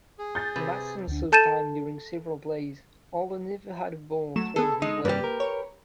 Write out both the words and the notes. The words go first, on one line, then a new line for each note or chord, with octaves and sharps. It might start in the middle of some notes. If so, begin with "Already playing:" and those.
Thomason saw time during several plays, although never had a ball thrown his way.
G#4
G6 A6
C3 B4
D2 D4
A4 A5 G6 A6 D#7 E7
F#3 A3 E7
B3 G#4 A4
G#3 D#4
G2 G3 A#3 G4 B4
A#4
C#5